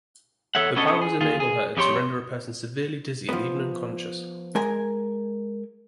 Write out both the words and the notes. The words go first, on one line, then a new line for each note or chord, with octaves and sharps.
Her powers enable her to render a person severely dizzy and even unconscious.
E2 A4 C#5 E5 F#5
B3 C#4 D4 A4 D#5
G#4
D#2 F4 G#4
G#4
F2 G3 G4 C#5 C6
F3 B3
G#3 A#4 G#5